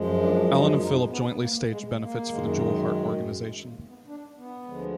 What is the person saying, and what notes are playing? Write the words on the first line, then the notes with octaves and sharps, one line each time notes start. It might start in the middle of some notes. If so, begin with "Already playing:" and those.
Allen and Philip jointly staged benefits for the Jewel Heart organization.
Already playing: F#2 F3 G#3
D4
D#4
D#4
B3
A#3
G#3
A#3
F#2 D#3 G#3
G#3
A#3
B3
D4
B3
D2 D3 F3 G#3